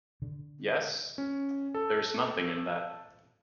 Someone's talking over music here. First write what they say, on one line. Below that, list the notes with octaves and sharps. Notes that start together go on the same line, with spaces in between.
Yes; — there is nothing in that.
D3
C#4
A4